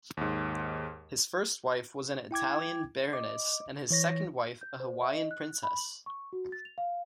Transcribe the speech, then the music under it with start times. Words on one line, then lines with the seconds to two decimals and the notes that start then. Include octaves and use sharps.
His first wife was an Italian Baroness and his second wife a Hawaiian princess.
0.17 D#2 G#2
2.31 E4 G5 D6 G#6
3.13 D#5 D6
3.91 E3 C#5 A#6
4.61 G6
4.80 C5
5.02 E5
5.15 D#5
5.31 F#6
5.63 B5
5.78 F#7
6.06 C#6
6.33 F#4
6.52 A6
6.65 F7
6.78 F5